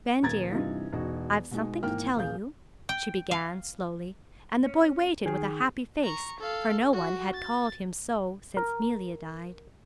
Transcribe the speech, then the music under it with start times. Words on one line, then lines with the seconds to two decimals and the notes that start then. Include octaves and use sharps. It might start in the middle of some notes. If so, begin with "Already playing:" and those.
"Ben, dear, I've something to tell you," she began, slowly; and the boy waited with a happy face, for no one had called him so since 'Melia died.
0.23 D#1 A#5 G#6 A6
0.51 G2 C3 E3 D#4 F4
0.93 E1 D#4 F#4
1.51 B2 G#3 D#4
1.83 G#1 E3 A#3 G5 F6
2.16 D#1 G#4 F5 G6
2.89 G5
3.31 F5
4.66 C#4
5.26 D#3 G#4
6.03 A#5 C#6
6.40 A4 F5
6.92 F#4
7.34 A6
8.57 A#4